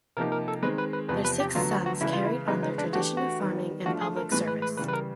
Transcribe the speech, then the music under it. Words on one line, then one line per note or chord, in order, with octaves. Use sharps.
Their six sons carried on their tradition of farming and public service.
C3 F3 A#3 D#4 G4 A#4
A#4
A4
D#3 G#3 C4 B4
B4
B4
E2 C3 F3 B4
B4
G4
D2 D3 F#3 B3 F4
F#4
F#4
C#3 E3 G#3 E4
F4
E4
C#3 E3 G#3 B3 D#4
D#4
D4
E3 A3 D4 F#4 G4
F#4
D#3 G3 B3
F3 A3 D4 F4 F#4 A4
G#4
A#4
A2 E3 G#3 B4
B4
B4
C#3 E3 G3 B4
B4
A#4